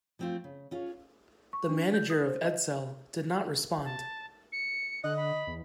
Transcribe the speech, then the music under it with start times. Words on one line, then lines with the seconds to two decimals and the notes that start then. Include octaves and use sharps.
The manager of Edsel did not respond.
0.19 F3 A3 C4 D#4 F4
0.44 C#3
0.71 C#4 F4 G#4 C#5
1.53 C#6
1.69 D4
1.94 G6
2.10 D#6
2.27 C5
2.45 D#5
3.85 A5
4.52 C#7
5.04 D3 D#5 F#6
5.17 B5
5.47 E2